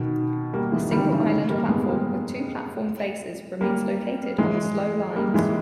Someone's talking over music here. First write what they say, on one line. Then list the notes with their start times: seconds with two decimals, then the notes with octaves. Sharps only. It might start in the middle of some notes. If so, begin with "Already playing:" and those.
A single island platform with two platform faces remains located on the slow lines.
Already playing: B2 D#3
0.53 G3 A#3
0.72 E3 G#3
0.91 D#3 G3
1.11 C#3 E3
1.49 G3 A#3
1.69 G#3 B3
1.88 G3 A#3
3.61 G3 A#3
4.38 E3 G#3
5.15 G3 A#3
5.34 E3 G#3